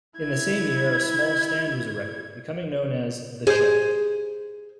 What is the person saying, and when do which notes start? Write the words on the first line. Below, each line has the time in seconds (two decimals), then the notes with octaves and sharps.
In the same year a small stand was erected, becoming known as 'the Shed'.
0.19 E4 G#6
3.47 G#4 C5